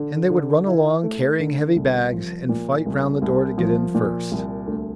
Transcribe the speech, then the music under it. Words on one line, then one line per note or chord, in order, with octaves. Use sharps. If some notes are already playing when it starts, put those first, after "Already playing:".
And they would run along, carrying heavy bags, and fight round the door to get in first.
Already playing: D3
D3
E4
A3
D3
C2
F3
A#2
C2
C2
F3
A#2
C2
D2